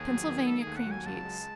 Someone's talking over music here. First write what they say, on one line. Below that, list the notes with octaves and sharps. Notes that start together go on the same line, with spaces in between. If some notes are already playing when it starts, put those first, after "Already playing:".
Pennsylvania Cream Cheese.
Already playing: D#2 G#4
F#3
D#3
A3 A4
G#4
D#2
F#5
F#3
G#5
C#2 A5
G#3